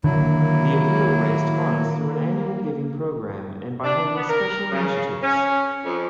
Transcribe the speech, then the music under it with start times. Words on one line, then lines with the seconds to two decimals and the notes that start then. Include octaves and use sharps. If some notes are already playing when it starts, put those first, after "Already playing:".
The appeal raised funds through an annual giving program and by holding special initiatives.
0.04 D3 D#3 F#3 A#3 E4
3.84 D4
4.15 B3
4.29 A#4
4.71 C#3
5.22 C#4
5.85 F2